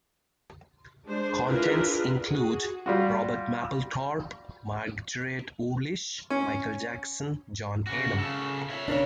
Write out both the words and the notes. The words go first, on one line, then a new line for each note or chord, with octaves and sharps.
Contents include: Robert Mapplethorpe, Margret Urlich, Michael Jackson, John Adam.
G#3 D4 C5
D4 E4 F4 G#4 A#4 B4
F#4 G#4
G3 F4 F#4
C#4
C#3 F#4
C#3 A4
C#5 E5
C#3 D4 A#4 C#5